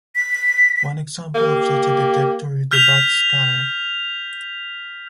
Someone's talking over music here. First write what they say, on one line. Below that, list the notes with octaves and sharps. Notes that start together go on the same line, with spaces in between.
One example of such a detector is the Bat Scanner.
B6
A#3 G4
F6 G6 B6 F7